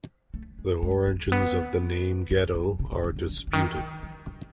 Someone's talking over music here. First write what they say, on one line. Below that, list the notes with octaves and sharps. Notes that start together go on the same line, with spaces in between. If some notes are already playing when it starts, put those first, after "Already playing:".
The origins of the name "ghetto" are disputed.
A3
G#3
G#3
B3
A#3
B3
G3
F#3
C3
C3
C#3
D3
D3
D3
D#3
D#3
E3
G3